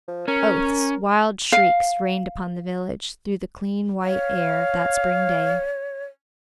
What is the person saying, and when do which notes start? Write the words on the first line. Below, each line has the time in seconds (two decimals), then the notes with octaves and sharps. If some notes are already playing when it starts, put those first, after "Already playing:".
Oaths, wild shrieks rained upon the village through the clean white air of that spring day.
0.08 F3
0.28 C#4 A#4
1.52 F5
4.03 C#5 F5